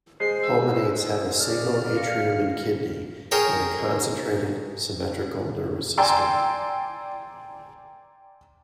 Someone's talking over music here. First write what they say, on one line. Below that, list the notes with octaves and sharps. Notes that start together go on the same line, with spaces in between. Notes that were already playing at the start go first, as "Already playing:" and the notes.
Pulmonates have a single atrium and kidney, and a concentrated, symmetrical, nervous system.
G#3 C5 C7
E6
D4 C#5 D5 F6
F5 A#6 C#7
G#4 A#4 C#5 G5 A5
D5 G5 G#5 A#5 C6 E6